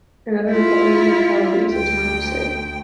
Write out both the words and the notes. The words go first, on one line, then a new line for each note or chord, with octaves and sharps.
Another important locality is the town of Sig.
E4 F4
D2 G5